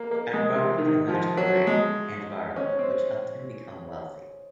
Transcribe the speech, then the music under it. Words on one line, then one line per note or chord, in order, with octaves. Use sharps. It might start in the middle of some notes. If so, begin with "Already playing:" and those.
Andvari had a magical ring Andvaranaut, which helped him become wealthy.
Already playing: A#3
A#3
G#3
C3
D#3
F3
F#3
G#3
C#4
C4